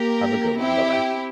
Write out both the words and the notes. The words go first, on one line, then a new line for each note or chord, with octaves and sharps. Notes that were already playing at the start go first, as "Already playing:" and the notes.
Have a good one. Bye-bye.
Already playing: A#3 G4 A#4
C4 E4 G4